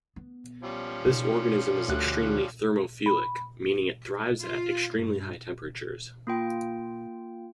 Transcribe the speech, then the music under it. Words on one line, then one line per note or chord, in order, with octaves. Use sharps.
This organism is extremely "thermophilic", meaning it thrives at extremely high temperatures.
B3
F3 G3 C#4
B2 D#4
D2 F#6
B5
F4
G2
A#3 F4 G5